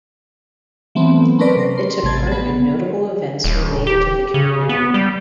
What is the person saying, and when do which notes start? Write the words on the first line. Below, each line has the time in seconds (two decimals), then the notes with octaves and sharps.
It took part in notable events related to the community.
0.95 E3 F#3 A3 B3 C4
1.39 A3 C4 C#4 A#4 B4 D5
1.57 C3 A#4
1.78 C6
2.03 A1 C3 A3 G#6 A6
2.27 F#3 B3
3.44 D#1
3.87 G4
4.34 C#3
4.69 B3
4.94 G3